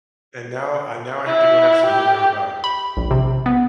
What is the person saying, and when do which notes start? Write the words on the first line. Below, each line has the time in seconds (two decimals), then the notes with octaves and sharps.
And now, I now, I have to go have some blueberry pie.
1.27 E4
1.86 G4
2.64 B5
2.97 A#1
3.11 C3
3.46 B3